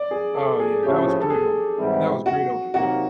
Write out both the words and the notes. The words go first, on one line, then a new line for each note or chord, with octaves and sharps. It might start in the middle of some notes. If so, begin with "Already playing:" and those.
Oh, yeah, that was brutal. That was brutal.
Already playing: D5
G#4
A4
G#4
A2 F3 A3 C#4 E4 G4
G#4
A4
G#4
G#2 E3 G3 C4 E4
F#4
C3 D#3 F#3 A#3 F#4